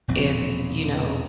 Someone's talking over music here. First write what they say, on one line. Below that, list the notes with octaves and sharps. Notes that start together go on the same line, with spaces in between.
if, you know,
E1 A#1 C4